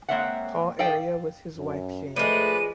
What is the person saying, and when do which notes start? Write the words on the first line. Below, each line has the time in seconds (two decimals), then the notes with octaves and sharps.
Paul area with his wife, Jane.
0.08 G#3 A#3 C4 C#5 E5 F#5
0.79 A4 D5 D#5 F5 G5
1.57 F#2
2.16 F3 G#3 A3 B4 D5 D#7